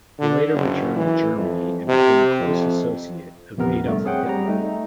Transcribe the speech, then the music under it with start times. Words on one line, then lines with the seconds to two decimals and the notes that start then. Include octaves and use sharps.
He later returned to Germany and became a close associate of Adolf Hitler.
0.19 D3
0.53 F#1
0.96 E3
1.36 F2
1.88 C3
2.39 F2
3.57 A#1 E2 C3 B3 A#4
3.85 G2 A3
4.05 C4 G#4 C#5 F#5 G5
4.26 G3 A#5
4.48 A3 D#4